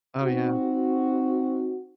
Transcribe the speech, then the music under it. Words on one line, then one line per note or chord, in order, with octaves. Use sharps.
Oh, yeah.
C4 D#4 F#4